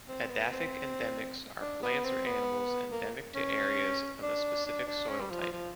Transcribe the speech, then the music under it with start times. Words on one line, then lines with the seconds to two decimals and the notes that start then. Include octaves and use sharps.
Edaphic endemics are plants or animals endemic to areas of a specific soil type.
0.08 C4
0.29 B3
0.51 C4
1.61 D4
1.83 B3
2.04 C4
2.26 B3
2.92 A#3
3.35 C#4
4.22 D4
4.66 D4
4.87 D4
5.09 C#4
5.20 G3
5.31 F3
5.41 F3
5.52 F3